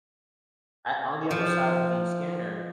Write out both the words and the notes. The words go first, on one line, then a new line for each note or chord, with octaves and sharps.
at on the other side of the scanner,
F3